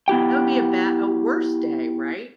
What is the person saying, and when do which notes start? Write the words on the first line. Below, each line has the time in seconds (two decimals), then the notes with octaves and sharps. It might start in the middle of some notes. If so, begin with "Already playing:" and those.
that would be a bad a worst day, right?
0.08 B3 E4 G4 G5